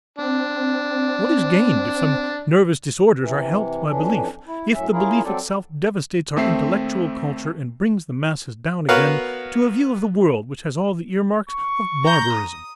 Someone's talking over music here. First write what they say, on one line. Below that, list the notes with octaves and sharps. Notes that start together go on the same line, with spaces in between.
What is gained if some nervous disorders are helped by belief, if the belief itself devastates our intellectual culture and brings the masses down again to a view of the world which has all the earmarks of barbarism?
C4 D4
C3 E3
F2 E3 C#4 D4
E4
F#2 A2 C#4 E5
C#4 E4 F4 G#4 A#4
F#3 C4 A4 D5
D#2 A3 C4 E5 C7
B3 F#4 A#4 C#5 F5 F#5
C#6
A#5 G6
D#6